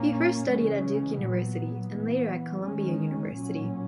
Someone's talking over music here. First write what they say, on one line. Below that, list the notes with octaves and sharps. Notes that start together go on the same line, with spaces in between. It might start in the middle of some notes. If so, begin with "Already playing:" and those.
He first studied at Duke University, and later at Columbia University.
Already playing: A#2 A#3 C#4
C#3 E3 G#3 C#4
A#2 F#3 B3
E3 B3
D#3 G#3 C#4
A#2 F#3 C#4